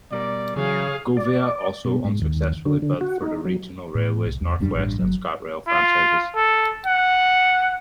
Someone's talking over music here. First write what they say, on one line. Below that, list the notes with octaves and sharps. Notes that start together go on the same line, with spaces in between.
Govia also unsuccessfully bid for the Regional Railways North West and ScotRail franchises.
B2 G3 A#4 D5
C#3 E3 F#3 G#4 C#5 F5
D5
B2
G#2
D#2
D3
D3
F#4
D#4
F#3
A2
C2
E2
D#1 F#2 G3 D4
A1 G2
G1 F#3
F4
A4
F#5